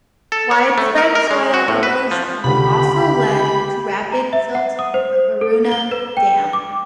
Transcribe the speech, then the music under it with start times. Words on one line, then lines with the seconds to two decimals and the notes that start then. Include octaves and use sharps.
Widespread soil erosion also led to rapid silting of Aroona Dam.
0.32 A4
0.51 C#5
0.78 A3
0.98 A#4
1.15 A#4
1.31 G#3
1.54 F#4
1.68 A2
1.83 B4
2.11 F3
2.44 C#2 D3 G4 B5
4.12 A#5
4.33 E5
4.55 F#5
4.79 D#6
4.94 C5
5.41 A4
5.72 G7
5.91 B4
6.17 G5
6.53 D6